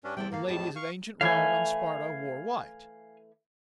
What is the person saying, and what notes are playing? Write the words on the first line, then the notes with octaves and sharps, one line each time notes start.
The ladies of ancient Rome and Sparta wore white.
G2 C#4 D4
E2 C3 G3 E4 A4 G5
D#3 A#3 A4 F5
F2 A2 G4 G#4 A5
F5 C#6
E3 A3 C#5 F5 G#5